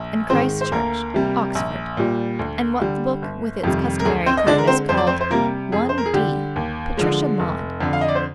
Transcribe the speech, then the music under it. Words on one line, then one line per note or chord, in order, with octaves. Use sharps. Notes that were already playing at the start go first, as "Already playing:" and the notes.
Eton and Christ Church, Oxford, and what the book with its customary curtness called "one d."--Patricia Maud.
Already playing: A#1
G#2 D#3 G#3 C4 C5
C5
D2 A#3 A#4
C3 G3
A#1
A#2 G3
D2
D3 G3
G1
F2 C3 D#3 G3
A#4
D2 G#4
C4 C5
D#5
D3 G#3 D4 D5
A#4
C4 C5
F2 C5
D5
C4 C5
C5
C3 G3 A#3 A#4
F2 G#4
C5
A#4
G#4
D3 G3 G4
D#2
D3 F3 G#3
F1
F2 D3
F5
D#5
D5
C5